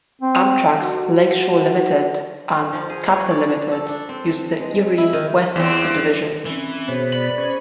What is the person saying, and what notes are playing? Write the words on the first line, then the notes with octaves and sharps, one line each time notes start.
Amtrak's "Lake Shore Limited" and "Capitol Limited" use the Erie West Subdivision.
C4
F#4
F3
G#4
C#5
D5
A4
D4
C4
G#3
E4
D#3
E2 C4
E3 C4 C#4
B2 B3 F#4 G#4 C5 C#5
D5 B5
C#4 G#4 C5